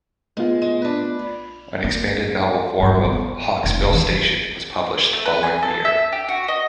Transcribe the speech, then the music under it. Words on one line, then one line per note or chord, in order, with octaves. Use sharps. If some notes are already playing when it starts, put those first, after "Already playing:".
An expanded novel form of "Hawksbill Station" was published the following year.
G#3 A3 B3 F4
G#3
D4 B4
A#3
G2 F#3
B3
F1
D3 E3
A3
B4
G#5
A4
E5
G4
F#4
D#5